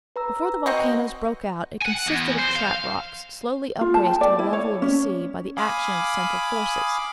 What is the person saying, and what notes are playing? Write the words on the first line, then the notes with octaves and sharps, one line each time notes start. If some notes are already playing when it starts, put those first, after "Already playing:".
Before the volcanoes broke out it consisted of trap rocks slowly upraised to the level of the sea by the action of central forces.
B4 A#5 E6
C4 F#4 D#5
F#5 G#5
E2
C5
F5
F4
A5
G5
D5
E4
C#5
C#4
F5 G#5 B5 D6 D#6